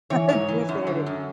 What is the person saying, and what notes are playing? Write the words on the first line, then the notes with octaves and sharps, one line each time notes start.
I appreciate it.
E3 C#5
G#2 C#5
E3
F#2
D3
F#2